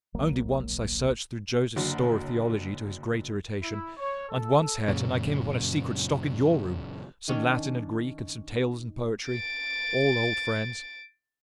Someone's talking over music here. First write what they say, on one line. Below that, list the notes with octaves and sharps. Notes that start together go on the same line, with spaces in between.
Only once, I searched through Joseph's store of theology, to his great irritation; and once, Hareton, I came upon a secret stock in your room--some Latin and Greek, and some tales and poetry: all old friends.
D1 A#1 F#3 A#3
F#1 D3 F#3
E4
C#5
A4
F#2 A#2 C#3
D#3 C#4 D4
A6 D7